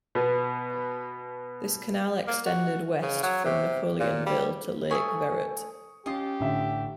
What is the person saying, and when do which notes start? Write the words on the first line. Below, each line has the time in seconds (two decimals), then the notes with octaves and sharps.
This canal extended west from Napoleonville to Lake Verret.
0.15 B2 B3
2.27 A#3
2.46 F#4
3.02 C#3
3.23 F#3
3.45 C3
4.00 A#2
4.26 G3
4.91 A3 G#5 C#6 D#6
6.06 C#4 F4 G4 D#5
6.40 A1 D3 E5